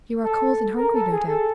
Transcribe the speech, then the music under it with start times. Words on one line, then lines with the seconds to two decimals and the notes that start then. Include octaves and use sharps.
You are cold and hungry, no doubt.
0.24 A4
0.76 A#4
0.94 A4
1.11 G#4
1.28 A4